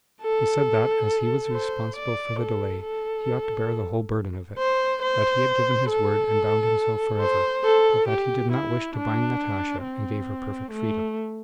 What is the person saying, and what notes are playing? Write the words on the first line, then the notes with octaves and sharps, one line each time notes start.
He said that as he was responsible for the delay he ought to bear the whole burden of it; that he had given his word and bound himself forever, but that he did not wish to bind Natasha and gave her perfect freedom.
A4
C5
D5
A4
A4
C5
C5
A4
C5
A4
G4
E4
D4
C4
A3